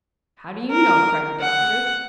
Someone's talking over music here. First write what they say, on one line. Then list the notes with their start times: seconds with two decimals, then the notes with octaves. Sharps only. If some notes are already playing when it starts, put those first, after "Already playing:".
"How do you know?" cried the doctor.
0.71 A#4
1.41 F#5